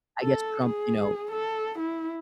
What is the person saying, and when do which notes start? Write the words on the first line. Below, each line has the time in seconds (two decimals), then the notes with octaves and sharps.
I guess Trump, you know,
0.22 A4
0.66 G#4
1.32 A4
1.79 E4